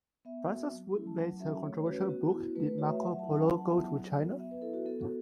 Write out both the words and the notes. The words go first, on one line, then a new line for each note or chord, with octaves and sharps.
Frances Wood based her controversial book Did Marco Polo go to China?
B3 E5
F#4
F#3
A3 C#4 E4
A5
F#3 F#5
C#4 F#4 E5
A3 C#5
C#5
C#4 F#4 B4
F#4
B3 F#4
E4
A3 B4
B4
F#4 C#5
E5
F#3 F#5
E5
A5
C#4 E4 F#5
A5
F#3 A5
F#5
B3 E4 E5
F#5
F#3
B3 F#4
B3 E5
B4
E4 A4
F#4
B3 A4
F#4